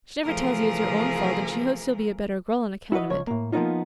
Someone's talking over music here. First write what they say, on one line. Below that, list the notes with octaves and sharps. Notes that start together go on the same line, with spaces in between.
She never tells you it's your own fault and she hopes you'll be a better girl on account of it.
C3 E3 F3 A3 G#4 A#4
E4 F#4 G#4 B4 D#5
C#2 F3 C#5
A2 A#3
F3 A#3 B3 C#4 D#4 F4